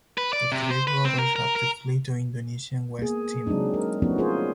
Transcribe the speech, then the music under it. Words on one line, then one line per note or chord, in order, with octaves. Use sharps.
The three brothers had to flee to Indonesian West Timor.
B4
D5
C3
C5
B4
C4
A#4
A#4
A#4
A#3 B3 G#4
F#3 G#3 C4 D4 D#4
A#4
F3 A3 B3 C#4 D#4 F#4
F4 G#4 A#4 C5 C#5